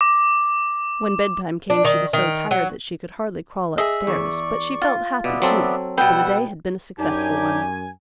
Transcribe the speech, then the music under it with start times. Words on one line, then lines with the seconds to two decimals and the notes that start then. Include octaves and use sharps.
When bedtime came she was so tired that she could hardly crawl upstairs; but she felt happy too, for the day had been a successful one.
0.01 D6
1.70 D4
1.85 D#3
2.13 D#3
2.51 F#3
3.78 G#4 D#5 E5
4.07 E2 D5 C#6
4.82 F4
5.24 B2 B3 D5 E5
5.42 F#3 C4 A4
5.98 B2 G3 B3 F#5 G5 E6
6.99 F#2 D4 D#4 G4 G#5